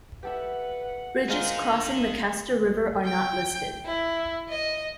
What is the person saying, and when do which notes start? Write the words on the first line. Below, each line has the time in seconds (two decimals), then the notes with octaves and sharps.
Bridges crossing the Castor River are not listed.
0.23 G4 A4 B4 E5 F#5
1.29 G#3 D4 D#4 F4 A#4
3.05 G5
3.86 E4
4.49 D#5